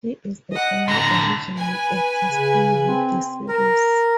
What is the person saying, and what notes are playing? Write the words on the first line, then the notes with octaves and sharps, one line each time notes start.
He is the only original actor still with the series.
D#5 F#5
A2 D3 A#5
B4 G#5
C#3
C4
A#4